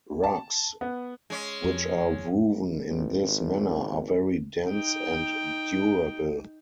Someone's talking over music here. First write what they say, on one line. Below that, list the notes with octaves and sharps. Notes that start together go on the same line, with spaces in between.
Rugs which are woven in this manner are very dense and durable.
A5
B3
G#3 C#4
F2
A1
G#1
D#4 G5